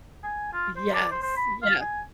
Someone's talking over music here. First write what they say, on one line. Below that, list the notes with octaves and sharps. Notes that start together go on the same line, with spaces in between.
Yes, yeah.
G#5
F4
C5
D5
C5
C5
B5
F5
G#5